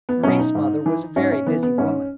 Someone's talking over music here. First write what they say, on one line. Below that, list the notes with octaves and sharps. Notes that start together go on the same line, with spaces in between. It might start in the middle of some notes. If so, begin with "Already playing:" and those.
Mari's mother was a very busy woman.
B3
B2 F#3 C#4
D#4
G#2
E3
G#2 C#4
C#4
E3 B3
B3
G#2 C#4